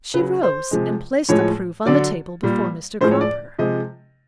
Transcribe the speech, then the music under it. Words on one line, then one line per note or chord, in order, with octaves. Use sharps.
She rose and placed the proof on the table before Mr. Cropper.
C#3 F#3 B4
C5
C3 F3 G#3
A2 F3 G#3 C#5
D3 F#3 D5
A#2 G3
A2 F3 G#3 C5
C#5
D5
C3 F3 G#3 D#5